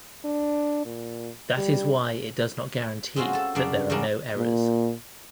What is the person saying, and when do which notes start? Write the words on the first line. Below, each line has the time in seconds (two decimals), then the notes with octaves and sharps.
That is why it does not guarantee that there are no errors.
0.25 D4
0.85 A#2
1.57 G3
3.16 G#3 C4 C#4 F4 F#4
3.33 A4 A5
3.55 F#2 C#3 D4 D5
3.90 E2 C#3 G3 C#4 D4 A#4
4.36 A#2